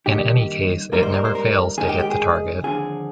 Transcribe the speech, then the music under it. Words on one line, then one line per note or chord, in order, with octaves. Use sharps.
In any case, it never fails to hit the target.
G2 D#3 A#3 D#4 G4
G#2 G3 A#3 D#4 A#4
C5
A#4
C5
A#4
D#2 D#3 G#3 D#4 G#4
G4
G4
G#4
D#2 D3 F3 C4 G#4